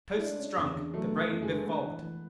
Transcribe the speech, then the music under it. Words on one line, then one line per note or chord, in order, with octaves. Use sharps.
Toasts drunk. The brain befogged.
E4
G#3 D4
C#4
E2
D3
F#3 A3
B3
F#2
G#3
D3
A3
B3 D4
E3
E3